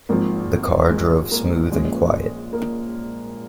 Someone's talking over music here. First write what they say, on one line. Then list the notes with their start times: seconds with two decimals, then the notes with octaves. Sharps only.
The car drove smooth and quiet.
0.09 G#1 G#2 F3 A#3
0.90 G#3
1.31 A#3
1.72 A#1 A#2 F3 G#3 C#4
2.53 A#3